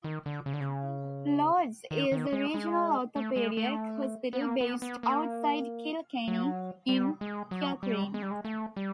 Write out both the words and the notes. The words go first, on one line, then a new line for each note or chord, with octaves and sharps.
Lourdes is the regional orthopaedic hospital based outside Kilkenny in Kilcreene.
D#3
D3
C#3
D3
C#3
D#3
D#3
G#3
G#3
A3
G#3
A3
B3
A#3
B3
B3
A#3
F#3
G3
G#3
F#3
G3
G#3
G3
G#3
A3
G3